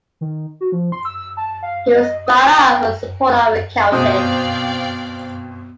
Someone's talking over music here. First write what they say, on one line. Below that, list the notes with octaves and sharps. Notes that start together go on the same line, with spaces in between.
He was brought up a supporter of Celtic.
D#3
F#4
F3
C6
E6
A5
F5
D#5
D#6
G5
B2 C4 D5 F5 G5 D#6